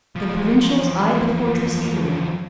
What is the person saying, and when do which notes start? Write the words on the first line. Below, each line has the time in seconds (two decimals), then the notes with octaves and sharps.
The Provincials eyed the fortress eagerly.
0.16 E2 F3